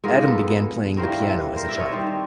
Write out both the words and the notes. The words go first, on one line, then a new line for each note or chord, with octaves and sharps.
Adam began playing the piano as a child.
G#2 F3 G#3 B3 G#4 A#4
A4 B4
G2 E3 G3 A#3 A#4 C5
A4 B4
A#4 C5
D5 E5
C#5 D#5
D#3 G3 C4 C5 D5